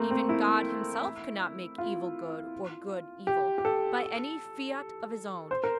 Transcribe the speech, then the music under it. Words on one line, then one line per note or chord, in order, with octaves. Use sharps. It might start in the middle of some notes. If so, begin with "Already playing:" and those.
"Even God himself cannot make evil good or good evil by any fiat of his own."
Already playing: A3 A#3 C4
C4
E4
F4
G4
G4
A4
C5
A#4